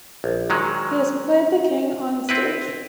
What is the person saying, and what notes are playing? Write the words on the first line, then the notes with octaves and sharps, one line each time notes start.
He has played the king on stage.
A#1
D#3 F#3 G#3
C4 E4 B4